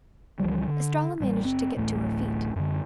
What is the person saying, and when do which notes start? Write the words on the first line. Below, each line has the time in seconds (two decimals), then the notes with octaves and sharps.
Estralla managed to get to her feet.
0.40 C#2 E3 F3 G3
0.67 D3
1.20 A1 G3
1.44 F#1 C4
1.77 D1 A1 A3
2.55 F#2 D3